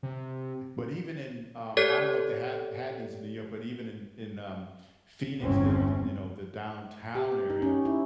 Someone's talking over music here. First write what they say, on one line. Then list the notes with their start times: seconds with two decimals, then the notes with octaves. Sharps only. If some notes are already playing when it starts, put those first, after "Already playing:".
But even in um, I don't know if they had had these in New York, but even in in, um, Phoenix, the th you know, the downtown area,
0.03 C3
1.77 G4 A4 C#5 D5 G#6
5.41 G1 E2 G#2 C3 C4 C#4
7.15 G4
7.50 D#4
7.62 C#4
7.85 E4